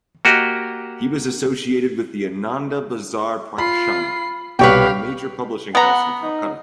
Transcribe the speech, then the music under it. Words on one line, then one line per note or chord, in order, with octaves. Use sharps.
He was associated with the Ananda Bazar Prakashana, a major publishing house in Calcutta.
A#3 F#4 G4 D#5
F4 B5 C7
C2 B2 G4 B4 C#5 F5 G5
B3 F#5 A#5
D#4